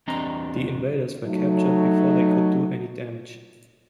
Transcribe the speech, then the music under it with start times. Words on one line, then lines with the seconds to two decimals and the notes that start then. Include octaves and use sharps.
The invaders were captured before they could do any damage.
0.07 E2 G3 C4 D4 D#5 A#5
1.25 F#3 A3 D#4